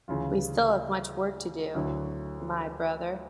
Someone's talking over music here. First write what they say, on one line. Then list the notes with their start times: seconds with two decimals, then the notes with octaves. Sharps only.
We still have much work to do... My brother.
0.08 D2 C#3 E3 F4
1.74 D2 D3 F#3 E4